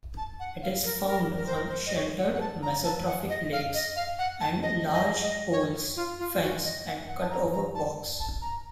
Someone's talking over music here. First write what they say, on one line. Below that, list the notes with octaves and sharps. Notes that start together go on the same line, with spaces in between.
It is found on sheltered mesotrophic lakes and large pools, fens and cutover bogs.
A5
F#5
F5
A#4
A#4
A#4
C5
A#4
C5
D#5
C#5
F#5
F#5
A5
A#5
A5
F#5
D#5
F5
D#5
F5
F#5
A5
D#5
D#5
D#5
C#5
F4
F4
F#4
D#5
F#5
F#5
A5
A#5
A#5
A5
A5
A#5